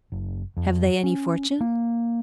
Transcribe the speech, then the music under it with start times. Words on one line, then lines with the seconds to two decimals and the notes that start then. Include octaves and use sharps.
"Have they any fortune?"
0.12 F#1
0.57 F2
1.03 C#4
1.61 A#3